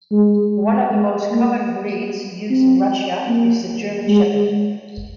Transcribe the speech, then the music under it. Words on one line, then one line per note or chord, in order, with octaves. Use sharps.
One of the most common breeds used in Russia is the German Shepherd.
G#3
G#3
A#3
C4
A#3
G#3